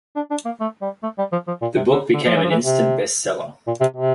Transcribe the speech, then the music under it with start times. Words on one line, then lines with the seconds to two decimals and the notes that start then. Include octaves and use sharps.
The book became an instant bestseller.
0.16 D4
0.31 D4
0.45 A#3
0.60 A3
0.82 G3
1.03 A3
1.18 G3
1.32 F3
1.47 F3
1.62 A#2
1.76 C3
1.92 D3
2.14 D3
2.26 F3
2.36 E3
2.43 F3
2.50 E3
2.65 C3
3.67 A#2
3.81 C3
3.96 C3